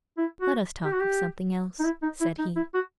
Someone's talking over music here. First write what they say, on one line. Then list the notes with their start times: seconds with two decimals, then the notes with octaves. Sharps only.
"Let us talk of something else," said he.
0.18 E4
0.41 F#4
0.85 G4
0.93 F#4
1.00 G4
1.79 D#4
1.85 E4
2.02 D#4
2.21 E4
2.38 D#4
2.56 E4
2.74 F#4